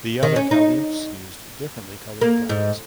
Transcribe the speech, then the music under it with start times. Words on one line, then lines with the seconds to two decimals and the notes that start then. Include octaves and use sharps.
The other caliphs used differently colored flags.
0.23 D#3
0.36 C#4
0.51 D#4
2.21 A#3
2.50 G#2